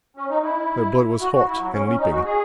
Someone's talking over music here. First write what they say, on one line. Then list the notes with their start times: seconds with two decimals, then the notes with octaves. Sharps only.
Their blood was hot and leaping.
0.17 C#4
0.30 D#4
0.43 E4
1.20 F#4
1.33 F#4
1.47 E4
1.59 F#3
1.73 C#4
1.86 C#4
1.99 D#4
2.11 F#4
2.25 G#4